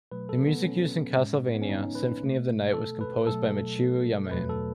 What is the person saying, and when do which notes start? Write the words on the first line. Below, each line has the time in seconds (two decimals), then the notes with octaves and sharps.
The music used in "Castlevania: Symphony of the Night" was composed by Michiru Yamane.
0.12 B2 F#3 A3 B4
0.29 A4
0.47 B3
0.64 C#4
1.17 A2 G#3
1.54 B3
1.62 C#4
1.69 D#4
1.95 B4
2.22 B2 A3
2.74 A4
3.01 B4
3.27 B2 F#3 A3 A4
4.31 E2 B2 F#3 A3 B4
4.49 A4